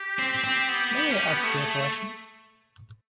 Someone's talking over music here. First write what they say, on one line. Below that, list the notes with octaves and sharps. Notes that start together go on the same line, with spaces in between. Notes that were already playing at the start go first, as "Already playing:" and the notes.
May I ask you a question?
Already playing: G4
C4
C4
B3
B3
C#4
B3
A3 G#4